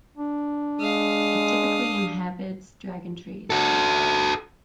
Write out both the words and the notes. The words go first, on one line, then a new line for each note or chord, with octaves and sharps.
It typically inhabits dragon trees.
D4
G#3 F5 D#6
F#4 A4